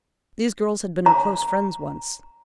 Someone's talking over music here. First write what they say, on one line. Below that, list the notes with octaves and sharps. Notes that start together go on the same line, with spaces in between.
These girls had been her close friends once.
A#5